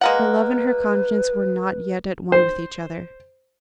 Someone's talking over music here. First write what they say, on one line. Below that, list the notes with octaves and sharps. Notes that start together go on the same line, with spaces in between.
Her love and her conscience were not yet at one with each other.
G#3 A#3 B4 F#5
C5